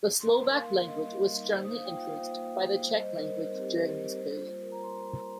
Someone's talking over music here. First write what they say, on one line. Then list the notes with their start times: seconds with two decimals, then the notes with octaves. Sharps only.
The Slovak language was strongly influenced by the Czech language during this period.
0.20 G3 C6
0.32 C6
0.37 D#4
0.42 A#4
0.53 A#3 F5
0.70 A#3
0.87 G3 D#5
1.02 A#3
1.20 G3
1.36 D#4
1.52 A#3 C5
1.64 A#3 D#6
1.75 F5
1.85 F4 G5
1.97 F5
2.02 F4
2.08 F5
2.18 A#3 C5
2.35 A#3
2.52 A#3
2.69 A#3
2.84 G3 C5
2.96 D#5
3.02 G3 C5
3.19 G3 A#4
3.35 D#4
3.51 C4 A#4
3.59 G4
3.67 C4 A#4
3.76 C5
3.85 G3
4.01 G3
4.17 A#3 C5
4.34 F4
4.50 A#3
4.61 A#4
4.67 F4
4.72 A#5
4.83 F4 C6
5.00 F4
5.16 A#3